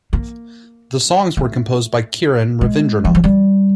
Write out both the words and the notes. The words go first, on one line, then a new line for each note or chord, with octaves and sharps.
The songs were composed by Kiran Ravindranath.
A#3
A3
G#3
F3
F#3
G3